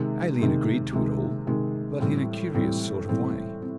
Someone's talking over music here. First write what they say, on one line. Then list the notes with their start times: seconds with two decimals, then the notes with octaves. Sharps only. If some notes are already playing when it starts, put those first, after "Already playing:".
Aileen agreed to it all, but in a curious sort of way.
Already playing: C3 D#3 G#3
0.39 C3 D#3 G#3
0.93 C3 D#3 G#3
1.47 C3 D#3 G#3
2.00 A2 E3 G3 C4
2.54 A2 E3 G3 C4
3.09 A2 E3 G3 C4
3.62 C4